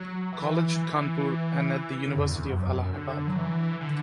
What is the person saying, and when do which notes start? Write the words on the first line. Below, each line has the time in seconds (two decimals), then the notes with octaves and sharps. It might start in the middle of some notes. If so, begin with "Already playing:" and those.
College, Kanpur and at the University of Allahabad.
Already playing: F#3
0.32 E3
0.76 E3
2.06 D3
2.16 F#2
2.21 E2
2.35 E2
2.50 F#2
2.93 D3
3.27 F#3
3.37 E3
3.81 D3